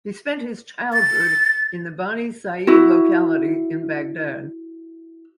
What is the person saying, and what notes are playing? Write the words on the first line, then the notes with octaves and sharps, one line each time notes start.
He spent his childhood in the Bani Said locality in Baghdad.
A6
E4 F#4